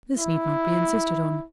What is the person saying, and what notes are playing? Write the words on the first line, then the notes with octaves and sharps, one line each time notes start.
This need not be insisted on.
E4